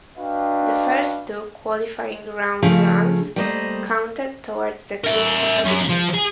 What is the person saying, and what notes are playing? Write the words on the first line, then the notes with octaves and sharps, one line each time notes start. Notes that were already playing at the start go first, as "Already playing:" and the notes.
The first two qualifying round runs counted toward the team competition.
D4 F#4 B4 D#5 F5 G5
C#3 F3 A3 C#4 G#4 C#5
G3 A3 A#3 C5 D5 D#5
A#4 E5
F#2
F3
G#4